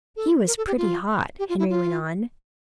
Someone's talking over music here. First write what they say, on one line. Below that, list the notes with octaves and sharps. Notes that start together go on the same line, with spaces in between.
"He was pretty hot," Henry went on.
A4
A#4
A4
G4
F4
G4
F4
E4
F4